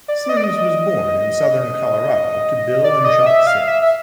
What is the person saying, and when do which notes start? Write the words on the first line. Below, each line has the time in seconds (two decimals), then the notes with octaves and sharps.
Simms was born in southern Colorado to Bill and Jacque Simms.
0.08 D5
0.29 D#5
0.37 D5
0.44 D#5
2.84 D5
3.05 D#5
3.26 E5
3.47 F5
3.68 E5
3.82 E5